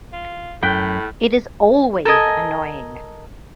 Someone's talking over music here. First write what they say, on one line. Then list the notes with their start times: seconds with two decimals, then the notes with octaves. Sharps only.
It is always annoying.
0.13 F4
0.63 F#2 A2 G5 F#6 G6 B6
2.05 A4 A#4 D#5 G#5